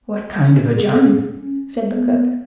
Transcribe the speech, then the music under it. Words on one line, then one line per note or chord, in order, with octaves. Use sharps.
"What kind of a German?" said the cook.
G#4
A4
G#4
D4
C#4
B3